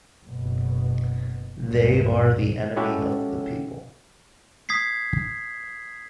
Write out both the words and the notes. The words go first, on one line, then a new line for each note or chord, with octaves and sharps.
They are the enemy of the people.
F#1 B2
C#2 G2 A#2 F#3
G#3 C#4 E4 F#4 G4 A4
D#6 G#6 B6 C7